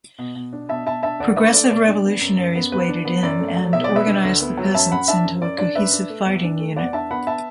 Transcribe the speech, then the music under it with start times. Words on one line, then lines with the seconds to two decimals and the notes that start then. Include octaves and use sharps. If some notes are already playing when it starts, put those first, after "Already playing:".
Progressive revolutionaries waded in and organized the peasants into a cohesive fighting unit.
0.19 B2
0.35 B2
0.53 D4
0.69 B2 E5 A5
0.86 B2 E5 A5
1.03 D4 E5 A5
1.20 D2 D5 F#5
1.36 D4 B4 E5
1.53 A3 D5
1.71 B2 D5
1.88 D4
2.05 B3
2.21 F#2
2.38 F#2
2.55 B3
2.72 E2 B4
2.88 D4
3.05 B3
3.23 F#2 D5
3.40 A3
3.57 F#3
3.73 B2 E5
3.84 D5
3.90 B2
3.95 B4 E5
4.06 D4
4.24 D2
4.40 B3
4.57 F#3
4.74 F#2 E5 A5
4.92 F#2 F#5 B5
5.08 D4 E5 A5
5.25 F#2
5.41 F#2 D5
5.58 D4 D5
5.75 F#2 B4 E5
5.93 D4
6.09 A3
6.26 E2
6.44 D4
6.60 A3
6.76 E2 D5 F#5
6.93 D4 E5 A5
7.11 B3 F#5 B5
7.27 E5 A5